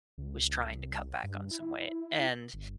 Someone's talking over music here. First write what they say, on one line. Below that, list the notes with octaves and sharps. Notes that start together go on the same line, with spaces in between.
was trying to cut back on some weight, and,
C#2
C2
G2
E4
G1